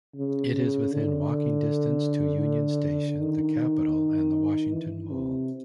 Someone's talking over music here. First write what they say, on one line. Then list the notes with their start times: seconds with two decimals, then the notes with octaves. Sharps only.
It is within walking distance to Union Station, the Capitol and the Washington Mall.
0.15 C#3
0.54 C#3
0.92 D3
3.21 D#3
4.73 E3
5.11 C3